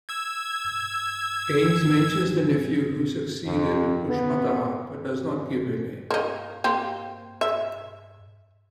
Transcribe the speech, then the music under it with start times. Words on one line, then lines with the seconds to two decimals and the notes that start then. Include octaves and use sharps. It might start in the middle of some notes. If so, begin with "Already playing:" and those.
Gaines mentions the nephew who succeeded Pushmataha, but does not give a name.
0.09 E6 G#6
3.45 F2
4.09 B3
6.11 A#3 D#4
6.64 A#3 C4 G4
7.41 E5